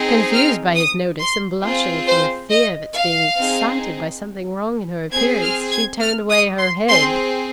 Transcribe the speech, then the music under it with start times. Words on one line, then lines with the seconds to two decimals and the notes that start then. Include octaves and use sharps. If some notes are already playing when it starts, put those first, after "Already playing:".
Confused by his notice, and blushing from the fear of its being excited by something wrong in her appearance, she turned away her head.
Already playing: C4 D#4 G#4
0.32 F6
0.75 D#6
1.20 C6
1.63 C4 F4 G#4
2.07 C5
2.50 D#5
2.95 F5
3.37 C4 D#4 G#4
5.12 C4 G#4 G#6
5.42 F6
5.71 G#6
6.01 F6
6.30 D#6
6.58 C6
6.88 C4 G#4 C6